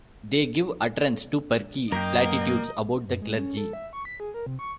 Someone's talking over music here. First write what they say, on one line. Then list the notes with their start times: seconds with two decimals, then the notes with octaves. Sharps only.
They give utterance to perky platitudes about the clergy.
1.92 F#2 A#3 A#4 D#5 G5 A#5
3.07 F#2
3.22 G#3
3.39 C#4
3.57 A4
3.73 E5
3.93 C#6
4.05 B6
4.20 G#4
4.34 A#4
4.46 C3
4.59 C#6